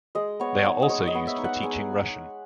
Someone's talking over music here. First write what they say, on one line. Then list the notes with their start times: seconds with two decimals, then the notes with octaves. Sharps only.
They are also used for teaching Russian.
0.15 G#3 D#5
0.40 B3 C#5
0.65 D#4 C#5
0.82 D#5
0.89 G#3 C#5
1.07 D#5
1.15 B3
1.27 E5
1.38 D#4
1.44 F#5
1.63 G#3 G#5